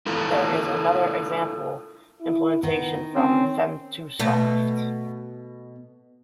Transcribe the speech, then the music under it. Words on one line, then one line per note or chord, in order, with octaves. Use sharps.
There is another example implementation from Femtosoft.
E4 F4 A4 A#4
E4
D#3 B3
C4 C#4
B2 A3